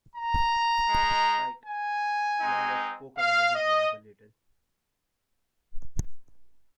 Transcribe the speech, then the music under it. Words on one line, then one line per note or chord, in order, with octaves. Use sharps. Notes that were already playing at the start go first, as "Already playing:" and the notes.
Right, well let's poke around his lab a little.
A#5
G#3 D#4
G#5
G#3 C4 D#4
F5
D#5